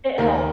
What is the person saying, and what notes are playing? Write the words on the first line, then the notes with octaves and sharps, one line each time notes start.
it helps.
D#2 A#4